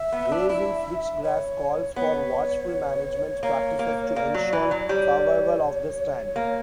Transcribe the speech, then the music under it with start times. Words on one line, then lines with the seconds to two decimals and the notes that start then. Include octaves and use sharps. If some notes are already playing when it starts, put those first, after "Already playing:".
Grazing switchgrass calls for watchful management practices to ensure survival of the stand.
Already playing: E5
0.12 B3
0.32 D4
0.49 E4 E5
1.23 C#5
1.96 B3 C#5
3.43 A#3 C#5
3.79 A#3
4.16 A#3 D5
4.34 F#3
4.53 E3
4.71 F#3
4.89 G3 C#5
6.36 A#3